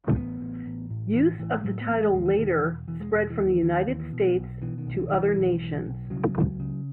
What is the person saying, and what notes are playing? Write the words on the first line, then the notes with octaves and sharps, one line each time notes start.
Use of the title later spread from the United States to other nations.
A3
A1 B3
A1
A1
A2
A1 E3
A2 E3
A2 F#3
B3
A1
G#3
D#2 G#3
E3
E1 D#3
E3
E1 E3
E1 E3
G#3
E1
E3
D#2
E3
D#2 D#3
D#2 E3
B2
B1
B2 E3
D#3
B1
E3
B1 D#3
E3
B1
B1
B1
C#3 F#3
C#2
C#3